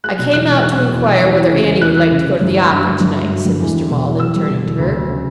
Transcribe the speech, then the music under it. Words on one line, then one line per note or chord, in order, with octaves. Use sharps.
'I came out to inquire whether Annie would like to go to the opera tonight,' said Mr. Maldon, turning to her.
F#3 F#6
B2
E2 F#6
E1
F#3 F#6
B2
E2
E1
E2
E3
C#3
E2
E2 F#6
E3
C#3
E2
G1
F#3
G2
G1
G1
F#3
G2
G1
E2
G3
B2
E2
E2 E6
G3
B2
E2
D2
F#3
C#3